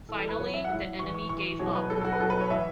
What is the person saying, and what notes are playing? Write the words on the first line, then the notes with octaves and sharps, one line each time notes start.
Finally the enemy gave up.
A2 E3 A4
A4
B4
A2 F#3 C#5
E5
F#5
A2 F#3 E5
A2 E3 C#6
C#6
A2 E3 C#6
B2 F#3 C#5
B4
B2 F#3 A4
A4
F#4
B4
B2 F#3 A4
B4
C#5
A2 E3 E5